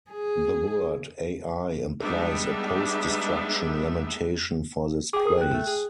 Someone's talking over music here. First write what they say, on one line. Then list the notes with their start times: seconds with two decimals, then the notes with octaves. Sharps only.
The word "Ai" implies a post-destruction lamentation for this place.
0.11 G#4
2.00 G3 G#3 B3 D4 D#4 E5
5.13 G#4 G5 D6
5.25 A#4 D#6
5.38 G5 F#6
5.53 A3
5.67 G#4